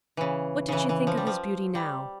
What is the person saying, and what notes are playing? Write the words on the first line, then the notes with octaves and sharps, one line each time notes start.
What did she think of his beauty now?
C#3 E3
C#3 E3
E3
F3
G3
F3
G3